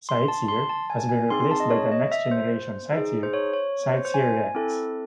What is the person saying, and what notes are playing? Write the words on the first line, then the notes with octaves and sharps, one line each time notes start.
CiteSeer has been replaced by the Next Generation CiteSeer, CiteSeerX.
C6
A5
C6
A5
G#5
G#5
C4 D#4 G#4 C6
C6
A5
D#5
C#5
D#5
E5
C5
D#4 G#4
C5
C#5
C#5
C#5
C5
C5
G#5
C4 E4 A4